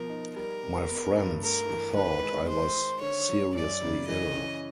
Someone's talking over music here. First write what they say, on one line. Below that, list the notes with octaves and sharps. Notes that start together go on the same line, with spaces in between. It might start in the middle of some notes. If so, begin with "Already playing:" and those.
My friends thought I was seriously ill!
Already playing: B2 F3 A#4
D#4
G3 A#4
C3
B3
G2
A3 A#4
E3
D#3 B4
G#3
G#3 C5
D#3
D3 C#5
F#3
F#2 D5
C#3
E3 D#5
C#4